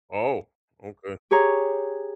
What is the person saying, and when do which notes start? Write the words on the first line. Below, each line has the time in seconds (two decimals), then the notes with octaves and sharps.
Oh. Okay.
1.31 G4 G#4 C#5 A#5